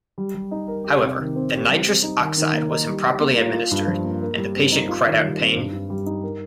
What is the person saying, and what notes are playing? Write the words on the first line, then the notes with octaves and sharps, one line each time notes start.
However, the nitrous oxide was improperly administered and the patient cried out in pain.
G3
G3
D#4
A#4
G4
C3
D#3
C4
G4
G3
C4
D#4
D#3
D#3
A#3
D#4
G3
G3
A#3
F4
F4
G2
F3
A#3
A#4
G3
C4
D#4
F4
D#3
G3
C4
G2
G2
G3
D#4
A#4